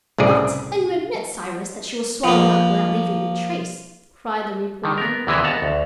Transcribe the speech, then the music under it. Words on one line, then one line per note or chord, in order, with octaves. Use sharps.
"What! then you admit, Cyrus, that she was swallowed up without leaving any trace?" cried the reporter.
C2 A2 C#3 G#4 D5
F3 A#3
D3 D#3
B3 A#4
D2 C3 E3 G#3 E4 G#5
D#2 B3 F#5 A5 A#5
D2